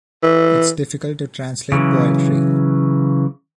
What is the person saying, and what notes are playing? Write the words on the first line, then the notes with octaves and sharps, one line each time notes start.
It's difficult to translate poetry.
E3
C#3 E3 F#3